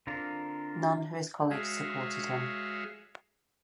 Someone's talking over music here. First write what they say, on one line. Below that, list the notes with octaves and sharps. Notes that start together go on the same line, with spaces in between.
None of his colleagues supported him.
D3 C4 F4 A#4
G#3 F#4 G#4 C#5 E5 F5